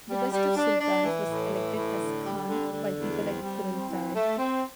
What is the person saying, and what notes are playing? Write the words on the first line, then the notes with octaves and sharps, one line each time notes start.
The best of sultans was elected as khan by people at Kurultai.
G3
G3
D4
D4
E3
A2
E3
A2
D3
G3
D3
D3
E2
C4
G3
C4
E3
A3
C4